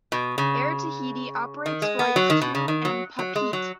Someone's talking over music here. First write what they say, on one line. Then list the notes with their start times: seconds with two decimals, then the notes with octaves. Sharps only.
Air Tahiti operates flights to and Papeete.
0.12 B2
0.38 C#3
1.66 D#3
1.82 G#3
1.99 B3
2.16 F#3
2.30 D#3
2.42 B2
2.55 C#3
2.68 D#3
2.85 F#3
3.19 F#3
3.36 G#3
3.53 F#3